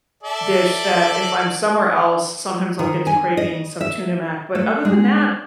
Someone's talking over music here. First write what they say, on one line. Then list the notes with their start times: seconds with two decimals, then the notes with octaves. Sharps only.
dish that if I'm somewhere else, sometimes I'll get to craving some Tuna Mac, but other than that,
0.23 A4 D5 E5
2.79 D#3
3.07 G#5
3.37 D#5
3.81 E5
4.55 A3
4.85 G#3